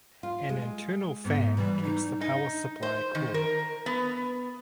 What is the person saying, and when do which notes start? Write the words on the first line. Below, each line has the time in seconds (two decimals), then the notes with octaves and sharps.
An internal fan keeps the power supply cool.
0.23 F4
0.49 G#3
1.25 G#2 B3
1.57 E3 G3
1.83 D#4
2.21 D#4
2.83 C5
3.15 D#3
3.34 A#4
3.86 B3